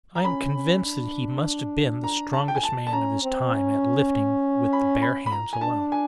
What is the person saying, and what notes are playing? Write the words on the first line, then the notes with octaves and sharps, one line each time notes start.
I am convinced that he must have been the strongest man of his time at lifting with the bare hands alone.
A#5
C#4 B5
C#4
D4
A#5
A5
G5
G#5
A5
A5
C#4 A#5
C4
C#4
B5
B5
B5
A#5
G#5
D4 A5
G#5